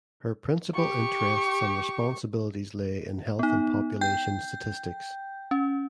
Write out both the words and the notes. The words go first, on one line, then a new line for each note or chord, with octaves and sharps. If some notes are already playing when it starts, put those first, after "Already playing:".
Her principal interests and responsibilities lay in health and population statistics.
G4 C#6
B3 D#4
G5 G6
C#4